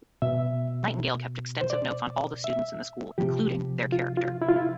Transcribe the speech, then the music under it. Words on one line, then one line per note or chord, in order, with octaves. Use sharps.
Nightingale kept extensive notes on all the students in the school, including their 'character'.
B2 E5
C5
D5
E5
C3 F3 G4
F4
F4
E4
F4
E4